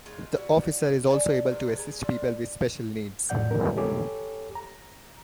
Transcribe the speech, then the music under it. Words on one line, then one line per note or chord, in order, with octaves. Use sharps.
The officer is also able to assist people with special needs.
C#3 G#3 F4 A#5
G3 E4 F#4
A4 C#5 D5 G#5
C3 D#3 E3 D4
G#4 A#5
D4 F4 A4
F2 A2 F3 D5 F#5 G6
A#4
G4 A4 C#5 G#5 D6
A#5